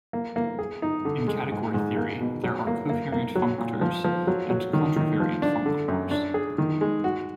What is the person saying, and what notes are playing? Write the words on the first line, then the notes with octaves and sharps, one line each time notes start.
In category theory, there are covariant functors and contravariant functors.
A#3
A#3
G#4
D#4
D3
G#3
G#2
G#2
A#3
B2
F#3
A#3
A#3
A#3
F#3
A#2
F3
F3
F#3
F#3
D#3
D#3
F3
D4
D3
F#2
D4
G#4
D#3
G#3
F#4